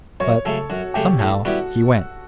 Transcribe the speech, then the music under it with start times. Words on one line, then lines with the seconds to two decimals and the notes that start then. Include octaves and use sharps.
But, somehow, he went.
0.20 F#2 C#5
0.45 C#3 F#3 A3 A4
0.70 F#2 F#4
0.94 C#3 F#3 A3 G4
1.19 A2 A4
1.45 G3 B3 E4 F#4 G4